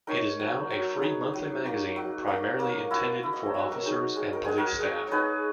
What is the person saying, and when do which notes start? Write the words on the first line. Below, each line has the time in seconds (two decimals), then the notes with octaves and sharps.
It is now a free monthly magazine primarily intended for officers and police staff.
0.07 D#4 A#4 C#5
0.40 F#3
0.70 F#3
1.02 D#4 G#4 B4
1.34 F#3
1.66 A#3
1.96 F#3
2.28 A#3
2.59 A#3
2.91 E4 F#4 A#4
3.23 E4
3.33 D#5
3.46 C#5
3.54 F#3 B4
3.72 A#4
3.86 D#4 G#4
4.16 G#3
4.33 A#4
4.44 G#3 G#4
4.57 F#4 A#4
4.80 G#3
5.07 D#4 G#4 B4 C#5